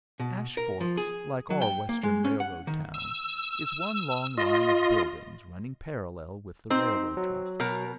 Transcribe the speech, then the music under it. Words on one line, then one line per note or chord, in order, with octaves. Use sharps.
Ash Forks, like all Western railroad towns, is one long line of buildings running parallel with the railway tracks.
B2
A#4
F3
G#4
F#3
G5
A#3
G#3
C#4
F#5
D#3
E6
F4 D#5
C4 D#4 C5
F#3
B2 A#4 A#5